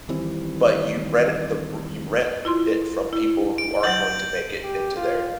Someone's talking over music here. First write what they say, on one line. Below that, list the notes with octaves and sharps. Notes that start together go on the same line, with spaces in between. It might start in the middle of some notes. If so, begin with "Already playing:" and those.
but you rent it the r you rent it from people who aren't going to make it into their
D#3 E3 G3 C4
E4 F4 C6
E4
D7
F#3 F#5 G6 A6 F#7
G4
F4